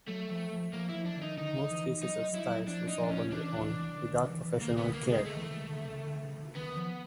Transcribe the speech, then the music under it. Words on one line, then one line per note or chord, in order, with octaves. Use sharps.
Most cases of styes resolve on their own, without professional care.
F#3 A3
F3
F3
F3 A#3
E4
F3
D4
D#3
D#4
D3 D#4
E3
F#3 D#4
F#3
F#3 E4
F#3
F3 D4
D#4
F3 D4
C#4
E3 D4
E3
D#3
D#3
E3
E3
D#3 A#3
B3
D3
A#3
D3 G#3
C#3 A3
E3
D#3
D3
C#3
D3
C#3
D3
D#3 B3
F3